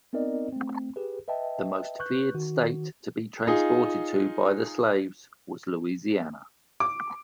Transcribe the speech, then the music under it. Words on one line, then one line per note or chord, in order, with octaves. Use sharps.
The most feared state to be transported to by the slaves was Louisiana.
B3 C4 D#4 A#4 D5 D#5
A3 C4
G4 G#4 B4
B4 D#5 E5 G5 A5
B4 C#6 F#6 G6
D#3 F#4
D#4 F4 G#4
D6